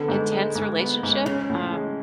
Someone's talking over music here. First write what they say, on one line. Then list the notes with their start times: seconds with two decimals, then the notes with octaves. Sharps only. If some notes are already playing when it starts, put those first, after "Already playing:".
intense relationship, um
Already playing: D3 B3
0.08 G#2
0.32 G#3
0.55 G#2
0.79 B3
1.03 G#2
1.26 C#3 C#4
1.50 A2
1.73 G#3